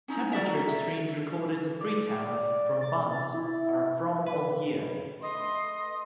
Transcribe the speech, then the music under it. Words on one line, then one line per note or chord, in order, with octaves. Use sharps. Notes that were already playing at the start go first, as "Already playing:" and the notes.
Temperature extremes recorded in Freetown from Bunce are from all year.
C#4 D#4 E4
F#4 D5 E5 A#5
E5
D5
A6
E4
B4
A3 B4 D#5 C6